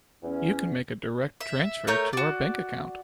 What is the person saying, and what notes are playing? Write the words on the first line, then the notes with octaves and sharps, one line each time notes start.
You can make a direct transfer to our bank account.
E2 C#4
E5
A3 A#4 C#5 G6
F#4 D5